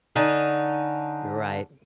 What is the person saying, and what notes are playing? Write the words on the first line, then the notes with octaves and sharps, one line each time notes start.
You're right,
D3 C#4 D#4